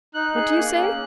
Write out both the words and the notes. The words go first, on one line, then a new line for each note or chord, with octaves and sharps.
"What do you say?"
D#4 F#6
G#4
A#3
C#4